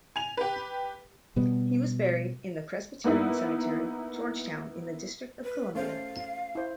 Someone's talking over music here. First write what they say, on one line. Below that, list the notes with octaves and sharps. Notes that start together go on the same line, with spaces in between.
He was buried in the Presbyterian Cemetery, Georgetown, in the District of Columbia.
G#5 F7
G4 B4
B2 G3 B3
A#3 B3 D#4 E4
B4
A3 C#4 C5 F5
E4 C5